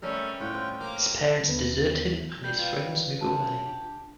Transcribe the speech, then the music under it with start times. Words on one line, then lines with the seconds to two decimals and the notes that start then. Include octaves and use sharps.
His parents desert him and his friends move away.
0.02 C3 G3 A3 C#4 A4 A#4
0.40 A2 F4 F#5 G5
0.54 C4
0.80 A#3 D6 F6
1.49 D#2 B3 B4
2.44 G3 G6
2.59 F4 B4
3.21 F#2 A5
3.65 D4 G4